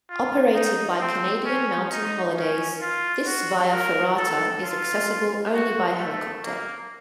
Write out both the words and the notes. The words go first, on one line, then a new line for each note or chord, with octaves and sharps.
Operated by Canadian Mountain Holidays, this via ferrata is accessible only by helicopter.
F4
D#4
C4
C#4
D#4
C#4
F4
F#4
A#4
A4
F4
F#4
A3
A#3